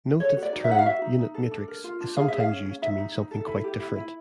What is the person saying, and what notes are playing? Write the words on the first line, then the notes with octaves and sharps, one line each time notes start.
Note that the term "unit matrix" is sometimes used to mean something quite different.
A4 C#5
F#4
D5
D#4
E5
D#4 F#5
F5
F#4 E5
D#4
D#4
A4
D4
A#4
F4
D4
G#4 F5
G#4 E5
F5
C#4
C#4
D#4 E5
D#4
D#4
A4
E4
G4
E4
E4